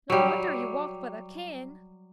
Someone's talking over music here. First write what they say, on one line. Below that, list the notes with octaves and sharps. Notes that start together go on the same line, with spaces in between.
No wonder he walked with a cane!
F#3 G3